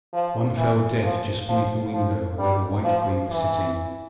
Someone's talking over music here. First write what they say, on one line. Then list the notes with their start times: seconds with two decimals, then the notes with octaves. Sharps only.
One fell dead just beneath the window where the white Queen was sitting.
0.13 F3
0.57 E3
1.02 F3
1.49 F3
1.93 F3
2.39 G3
2.84 F3
3.30 E3